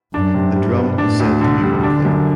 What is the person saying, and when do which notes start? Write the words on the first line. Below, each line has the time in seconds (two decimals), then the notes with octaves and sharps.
This drum is said to be one of them.
0.14 F#2 D4
0.34 C3
0.56 G2 G3
0.78 B3
0.98 A2 D4
1.20 D2
1.41 B2 D3
1.62 G3
1.83 D3 D4
2.05 F#2